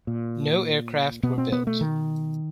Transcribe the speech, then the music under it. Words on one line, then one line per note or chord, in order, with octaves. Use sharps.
No aircraft were built.
A#2
B2 B3
C4
B3
A3
D#3